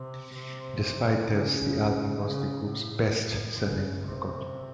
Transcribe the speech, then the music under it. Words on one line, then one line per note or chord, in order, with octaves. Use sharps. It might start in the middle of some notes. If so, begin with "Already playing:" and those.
Despite this, the album was the group's best-selling record.
Already playing: C3
C3
C#3
C#3
A2
C#3
C3